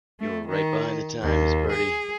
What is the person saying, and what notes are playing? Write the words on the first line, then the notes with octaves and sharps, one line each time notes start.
You're right behind the times, Bertie.
A3
D#3
D#2
G#4